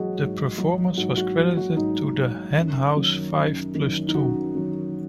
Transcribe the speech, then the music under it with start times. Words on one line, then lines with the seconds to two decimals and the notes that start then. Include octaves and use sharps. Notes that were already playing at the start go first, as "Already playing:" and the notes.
The performance was credited to the "Henhouse Five Plus Too".
Already playing: G#2 F#3 F#4 G#4 C#5 D#5 F#5
0.18 G#2
0.58 F#3
0.98 G#2 F#4
1.17 F#4
1.37 F#3 F#4
1.57 F#4
1.77 G#2 D#4
2.16 F#3
2.57 F#2
2.96 D#3 F#3
3.36 F#2
3.75 D#3 F#3
4.08 D#4
4.14 F#2 F#4
4.55 D#3 F#3